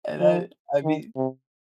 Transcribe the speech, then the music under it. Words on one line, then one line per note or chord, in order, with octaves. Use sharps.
And I I mean
F3
D#3
C3